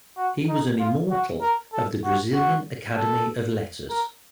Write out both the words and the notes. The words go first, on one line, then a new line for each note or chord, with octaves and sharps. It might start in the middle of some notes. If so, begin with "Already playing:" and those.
He was an "immortal" of the Brazilian Academy of Letters.
F#4
D#4
F4
F#4
A#4
A4
F#4
F#4
A4
A#4